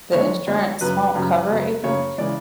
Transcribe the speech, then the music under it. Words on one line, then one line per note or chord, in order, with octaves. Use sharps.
The insurance won't cover it, you think?
D2 D3 G#3 D4 C#5
D2 D3 G#3 D4
F#2 C#3 F#3 B4
F#2 C#3 F#3
F#2 C#3 F#3
F#2 C#3 F#3 C#5
C#3 E3 G#3 D5